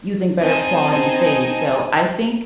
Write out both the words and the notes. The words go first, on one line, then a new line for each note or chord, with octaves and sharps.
using better quality things?" So I think
C4 D#4 D#5 G#5 A5